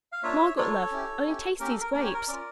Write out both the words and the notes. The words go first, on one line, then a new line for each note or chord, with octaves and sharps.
Margaret love, only taste these grapes!
F5
A#3 D4 F4 C#5 E5
A#3 D4 F4 A4 C#5
C#4 E4 G4
C#4 E4 G4
A#3 C#4 G4 A#4
A4
A#4
A#3 C#4 G4 A#4
C#5
A#4
C#4 F4 A#4 D5